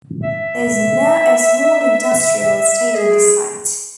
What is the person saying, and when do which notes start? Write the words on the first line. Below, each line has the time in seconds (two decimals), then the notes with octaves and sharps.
There is now a small industrial estate on the site.
0.23 E5
2.96 G#4